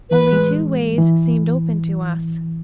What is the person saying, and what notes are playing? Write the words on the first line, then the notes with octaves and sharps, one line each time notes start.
Only two ways seemed open to us.
E3 B4
G#3
E3